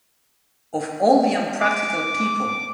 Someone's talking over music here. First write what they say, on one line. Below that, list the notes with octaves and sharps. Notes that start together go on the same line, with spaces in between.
Of all the unpractical people!
D6